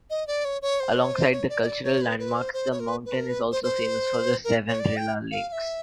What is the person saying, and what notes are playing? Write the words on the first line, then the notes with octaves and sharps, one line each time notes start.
Alongside the cultural landmarks the mountain is also famous for the Seven Rila Lakes.
D#5
D5
C#5
C#5
C5
C#5
C5
C#5
D5
D#5
D5
C#5
B4
B4
C5
C5
C#5
A#4
B4
B4
A#4
B4
C5
C5
A#4
C#5
D5
G5
F5
F5
E5